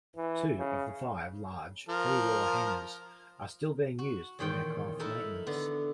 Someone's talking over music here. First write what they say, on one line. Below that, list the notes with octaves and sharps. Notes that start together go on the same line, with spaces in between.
Two of the five large pre-war hangars are still being used for aircraft maintenance.
E3
C#3
F3 A#4
F#4
E2 A#2 D#3 C#5 G5
D#4 E4 A4 A#4 E5
D3 B3